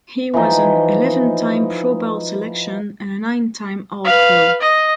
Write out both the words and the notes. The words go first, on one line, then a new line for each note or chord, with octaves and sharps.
He was an eleven-time Pro Bowl selection and a nine-time All-Pro.
E3 F3 D#4
B4 F5
D#5